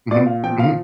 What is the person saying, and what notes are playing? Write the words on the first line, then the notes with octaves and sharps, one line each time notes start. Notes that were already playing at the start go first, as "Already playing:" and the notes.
Mhm, mhm.
A#2 D5
F5
F3 G5
F5